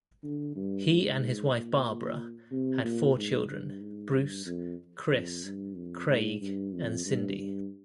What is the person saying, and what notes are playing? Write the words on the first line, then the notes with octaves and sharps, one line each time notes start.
He and his wife Barbara had four children, Bruce, Chris, Craig and Cindy.
D3
G2
G#2
A#2
C3
A#2
G#2
G2
G#2
G2
F2
F2
G2
F2
G#2
G2
F2
G2
G2